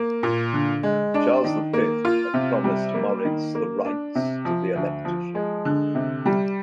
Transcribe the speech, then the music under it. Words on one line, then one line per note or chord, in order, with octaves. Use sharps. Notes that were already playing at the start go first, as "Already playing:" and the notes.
Charles the Fifth had promised Moritz the rights to the electorship.
Already playing: A#3
A#2
D3
G#3
D4
D#3
A#3
F4
C3
G3
A#3
D#3
A#3
D4
C3
F3
D2
F3
G#3
D3
C3
G3